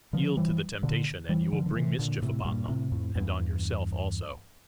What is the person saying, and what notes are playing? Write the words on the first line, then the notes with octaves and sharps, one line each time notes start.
"Yield to the temptation and you will bring mischief upon them--and on yourself also."
D3 F3
E3 G3
A#2 D3
E3 G3
D3 F3
D3
C3 E3
A#2 D3
A2 C3
G2 A#2
A2 C3
F2 A2
E2 G2